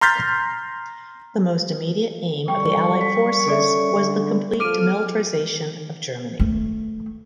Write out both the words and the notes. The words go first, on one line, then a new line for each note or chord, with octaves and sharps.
The most immediate aim of the allied forces was the complete demilitarisation of Germany.
A#5 C6 F6 G6 A6 B6
F#2 G3 A4 G5 C#6
B6
C#4 A4 D5 E5
D3
F3 A4 D6 F6 D7 D#7
A3